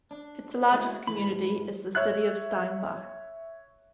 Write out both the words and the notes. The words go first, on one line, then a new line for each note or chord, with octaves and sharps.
Its largest community is the city of Steinbach.
D4
G#3 E4 F#4
G#2 E3 B5
C#5 E5 F#6